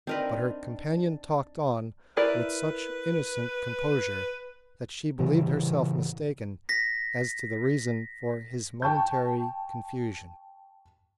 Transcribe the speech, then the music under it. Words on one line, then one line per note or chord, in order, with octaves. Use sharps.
But her companion talked on with such innocent composure that she believed herself mistaken as to the reason for his momentary confusion.
C4 D4 D#4 A#4 B4
E4 A#4 B4 D5
A2 C#3 E3 G3
A#6 B6
G5 A5 C#6 G6